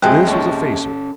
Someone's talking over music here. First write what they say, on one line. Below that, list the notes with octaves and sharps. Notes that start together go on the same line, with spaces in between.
This was a facer.
G#1 F2 C3 G#3 G#4 G5 F#6
D#2 C#4 A4 C#5